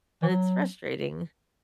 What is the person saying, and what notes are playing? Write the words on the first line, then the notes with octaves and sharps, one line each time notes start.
But it's frustrating.
E3
F#3